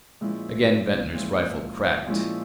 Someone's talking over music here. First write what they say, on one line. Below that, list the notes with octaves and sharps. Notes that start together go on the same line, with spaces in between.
Again Ventnor's rifle cracked.
A#2 F3 G#3 C#4 E4
A#2 F3 G#3 C#4 E4
A#2 F3 G#3 C#4 E4